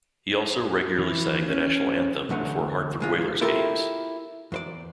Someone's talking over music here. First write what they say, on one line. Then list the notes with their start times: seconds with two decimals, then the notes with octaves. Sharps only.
He also regularly sang the national anthem before Hartford Whalers games.
0.98 E3
1.48 C#4
2.29 B1 E2 D3 A3
3.00 B1 G#3 F4
3.41 E4 F4 G4 A4 A#4
4.52 E2 C5 D5